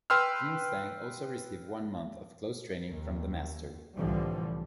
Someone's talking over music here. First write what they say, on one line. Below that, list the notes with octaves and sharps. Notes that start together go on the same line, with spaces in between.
Yin Zheng also received one month of closed training from the master.
B4 G5 C6 E6 F6
D#2
C2 A2 D3 E3 F3 G3